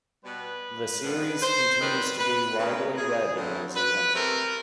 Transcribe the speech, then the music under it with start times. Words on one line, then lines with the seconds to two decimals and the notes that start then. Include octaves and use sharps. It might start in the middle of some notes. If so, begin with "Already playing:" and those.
The series continues to be widely read in New Zealand.
0.24 B2 G3 B3 B4
1.02 G2 D3 F3
1.42 C5
1.80 F#2 D#3 G3 C4 B4
2.19 B4
2.58 C#3 E3 G#3 C4 A#4
2.97 G#4
3.36 G2 D3 F#3 A3 C4
3.75 B4
4.13 C3 E3 A3 C4 A#4